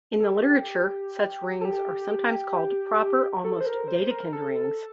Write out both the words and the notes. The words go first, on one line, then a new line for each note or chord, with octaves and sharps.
In the literature such rings are sometimes called proper almost Dedekind rings.
A4
G4
A4
G4
A4
C5
A#4
C5
A#4
A4